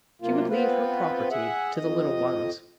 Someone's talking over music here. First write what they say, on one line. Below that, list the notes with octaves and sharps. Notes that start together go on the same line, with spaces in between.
She would leave her property to the little ones.
F#2 C3 A#3 F4
B3 C4 F4 B4
G#4 E5 F#5
F2 D#5